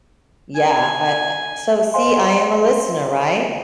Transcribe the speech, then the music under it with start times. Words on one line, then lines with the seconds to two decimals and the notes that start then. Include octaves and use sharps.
yeah, I, uh So see, I am a listener, right?
0.55 G#5
1.94 C5 D#5 F5 G#5 C6